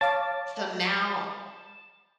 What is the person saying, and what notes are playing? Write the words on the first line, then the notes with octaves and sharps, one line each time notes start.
So now
C#5 F5 A5 D6